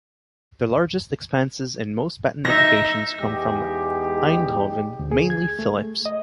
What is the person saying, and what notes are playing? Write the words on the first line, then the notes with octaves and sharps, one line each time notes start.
The largest expenses and most patent applications come from Eindhoven, mainly Philips.
D#4 E5 A#6
E2 G#3 D#4 G4 G#4
D2
G#4
G#6
A3
D#5